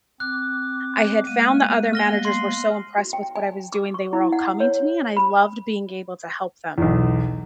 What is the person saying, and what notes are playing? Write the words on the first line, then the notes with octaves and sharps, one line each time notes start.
I had found the other managers were so impressed with what I was doing, they were all coming to me and I loved being able to help them,
C4 D6 F#6
G#3 A#3 B3 D#7
F6 A#6 G7
C6 C7
F#4
G5
G#5
D6
C#6
E4
F#5
C#5
B5
B1 E2